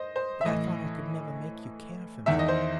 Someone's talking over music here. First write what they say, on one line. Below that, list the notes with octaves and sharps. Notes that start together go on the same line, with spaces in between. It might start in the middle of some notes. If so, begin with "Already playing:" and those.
But I thought I could never make you care for me.
Already playing: C5 D#5
C5
E5
A2 E3 D#5
E2 D#3 E5
D#5
C5